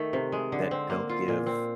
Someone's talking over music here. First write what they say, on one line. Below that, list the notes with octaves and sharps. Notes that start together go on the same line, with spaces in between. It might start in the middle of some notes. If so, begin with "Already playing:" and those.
that don't give
Already playing: D#3 A3
C3
G#3
D3
C4
A#3
F4
A#2
C4